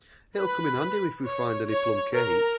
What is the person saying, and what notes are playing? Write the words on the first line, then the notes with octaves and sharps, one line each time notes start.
It’ll come in handy if we find any plum-cake.
B4
C#5
C#5
A#4